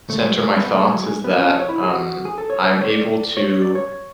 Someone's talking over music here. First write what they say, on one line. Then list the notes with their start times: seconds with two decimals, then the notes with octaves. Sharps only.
center my thoughts is that, um, I'm able to
0.10 A3
0.19 G#3
0.28 F#3
0.37 G#3
0.56 B3
0.69 G#3
0.75 A3
0.84 G#3
0.94 F#3
1.03 G#3
1.24 B3
1.38 C#4
1.49 A4
1.59 C#5
1.69 E4
1.83 G#4
1.88 F#4
2.25 G#4
2.38 A4
2.50 C#5
2.62 C#5
2.71 D5
2.81 C#5
2.90 D5
3.37 C#5
3.50 C#5
3.62 D5
3.75 C#5